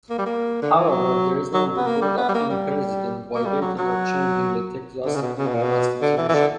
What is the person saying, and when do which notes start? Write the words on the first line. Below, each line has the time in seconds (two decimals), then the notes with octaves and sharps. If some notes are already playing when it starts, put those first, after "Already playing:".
However, there is no record of any president violating or changing the Texas Constitution.
0.10 A#3
0.18 G3
0.26 A#3
0.62 D3
0.77 E3
0.89 F#3
1.53 F#3
1.77 B3
1.86 A#3
2.02 G3
2.17 B3
2.29 G3
2.34 A#3
2.50 G3
3.35 A#3
3.46 G3
3.62 F#3
3.78 F#3
5.06 D3
5.16 C#3
5.22 B2
5.38 C#3
5.47 B2
5.54 A#2
5.62 B2
6.02 D3
6.17 E3
6.29 E3
6.34 D3